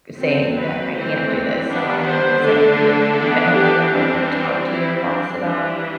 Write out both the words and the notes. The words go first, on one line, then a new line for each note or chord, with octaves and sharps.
saying that I can't do this, so I'm not upset with you." But have you ever talked to your boss about,
F#3 C4 A4
B4
E3 A3 C4 C5
G3 B3 D4
C5
D3 A3 D4 A4
E3 B3 D4
G4
E3 G3 C4 D4
D4
G3 C4 E4
D4
E3 G3 D4